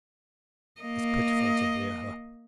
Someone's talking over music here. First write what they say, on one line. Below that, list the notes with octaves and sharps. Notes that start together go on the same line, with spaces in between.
It is pitiful to hear her.
A#3 D#5